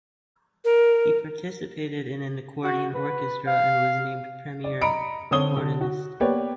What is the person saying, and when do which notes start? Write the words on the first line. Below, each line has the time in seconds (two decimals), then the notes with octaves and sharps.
He participated in an accordion orchestra and was named "premier" accordionist.
0.65 A#4
2.63 F#4
2.94 B4
3.47 F5
4.64 D5
4.81 D#5 A#5 B5 C#7 D7
5.31 D3 C4 C#5 D#6 G7
5.57 D3
5.81 F#4
6.20 A#3 B3 G4 B4 C#5 D5